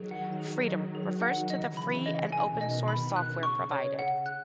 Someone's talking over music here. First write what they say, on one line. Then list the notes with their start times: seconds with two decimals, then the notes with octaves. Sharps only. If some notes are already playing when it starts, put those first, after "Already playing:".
"Freedom" refers to the free and open source software provided.
Already playing: D#3 F#3 G#4
0.11 F#5
0.40 G#4
0.68 D#5
0.95 G#4
1.22 F#5
1.50 C#3 E3 D#5
1.77 B5
2.06 D#5
2.32 B2 D#3 G#5
2.61 D#5
2.88 B5
3.16 C#3 F#6
3.43 C#6
3.72 C#5
3.99 F#5
4.26 F#6